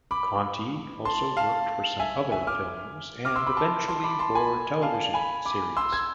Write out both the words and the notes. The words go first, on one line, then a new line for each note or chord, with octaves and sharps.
Conti also worked for some other films and, eventually, for television series.
B5 D6
A5 C6
F5 A5
E5 G#5
E5 G#5
D6 F6
D6 F6
C6 E6
B5 D6
A5 C6
A5 C6
B5 D6
A5 C6
G#5 B5
F5 A5
G#5 B5
B5 D6
C6 E6
E6 G#6